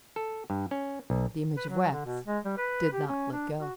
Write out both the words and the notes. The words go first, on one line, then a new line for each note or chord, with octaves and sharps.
The image of wax did not let go.
A4
G2
C#4
B1
B4
F#3
D3
B2
G#3
G3
B4
G4
C#4
D4
F#4